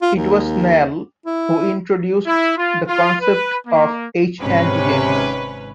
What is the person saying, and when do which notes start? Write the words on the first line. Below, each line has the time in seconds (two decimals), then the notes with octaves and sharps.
It was Snell who introduced the concept of H antigens.
0.02 F4
0.16 D#2
1.26 E4
2.25 E4
2.57 F4
2.87 F4
3.20 B4
3.66 A#3
4.40 G#1 G#2 C3 C#4 B4